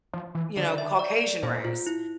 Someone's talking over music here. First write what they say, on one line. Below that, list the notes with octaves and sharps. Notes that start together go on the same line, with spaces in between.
you know, Caucasian race,
F3
E3
D3 D5
E5
D5
D5
A#2 C5
F4
E4